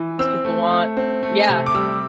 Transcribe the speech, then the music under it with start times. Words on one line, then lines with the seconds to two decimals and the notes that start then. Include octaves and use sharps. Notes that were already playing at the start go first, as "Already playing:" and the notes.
as people want. Yeah.
Already playing: E3
0.19 C4 E6
0.45 A3
0.71 A3
0.97 C4
1.23 A3
1.49 C3
1.66 D6
1.74 G3 E6